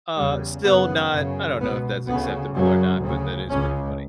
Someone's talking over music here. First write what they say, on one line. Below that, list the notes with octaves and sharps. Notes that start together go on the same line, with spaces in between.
Uh, still not I don't know if that's acceptable or not, but that is pretty funny.
E2 C#3 G3
F#2 C#3 B3
F#2 C#3
C#2 B2 B3
D2 C#3 B3
F#2 C#3 F#3
D2 C#3
C#2 C#3 C#4